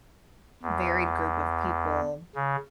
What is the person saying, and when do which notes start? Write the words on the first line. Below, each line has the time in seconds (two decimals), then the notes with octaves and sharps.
varied group of people,
0.62 E2
2.35 C#3